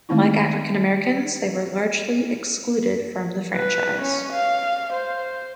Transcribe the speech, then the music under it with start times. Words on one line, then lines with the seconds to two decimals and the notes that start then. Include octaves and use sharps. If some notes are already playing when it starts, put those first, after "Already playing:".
Like African Americans, they were largely excluded from the franchise.
0.09 D#3 G#3 A3 C4 D#4 E4
3.55 B4
4.02 C#4
4.33 F5
4.93 C5